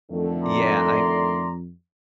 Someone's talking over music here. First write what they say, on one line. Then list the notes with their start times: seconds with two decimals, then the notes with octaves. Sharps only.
Yeah, I
0.11 F2 D3 D#3 A3
0.43 D5 A#5 C6